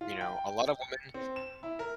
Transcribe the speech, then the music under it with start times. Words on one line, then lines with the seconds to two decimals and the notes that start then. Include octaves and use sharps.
you know, a lot of women
0.01 F4
0.21 G5
0.82 C#7
1.14 C4
1.36 E7
1.63 E4
1.79 A#4